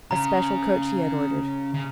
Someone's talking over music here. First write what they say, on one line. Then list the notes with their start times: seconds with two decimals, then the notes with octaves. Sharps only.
A special coach he had ordered.
0.11 C#3 A#5
1.74 C#3